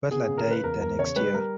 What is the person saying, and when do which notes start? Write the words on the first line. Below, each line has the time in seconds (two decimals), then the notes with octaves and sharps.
Butler died the next year.
0.11 B3 G#4
0.24 C#3 G#4
0.38 A#4
0.47 C#3 B4
0.63 E2 A#4
0.81 E2 A#4
0.98 C#3 C#5
1.16 G3 B4
1.34 G3 A#4